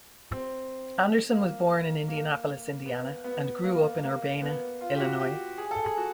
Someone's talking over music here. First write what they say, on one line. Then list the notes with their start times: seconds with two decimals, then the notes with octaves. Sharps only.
Anderson was born in Indianapolis, Indiana and grew up in Urbana, Illinois.
0.32 C4
1.30 A#3
2.08 A#3
2.86 B3
3.24 B3
3.64 A#3
4.03 A#3
4.42 B3
4.81 F4
4.96 G4
5.00 F#4
5.19 G4
5.58 G#4
5.71 A4
5.85 G#4
5.98 F#4